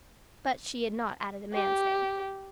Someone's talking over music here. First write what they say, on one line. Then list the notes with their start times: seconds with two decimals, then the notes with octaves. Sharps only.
But she had not added the man's name.
1.54 G4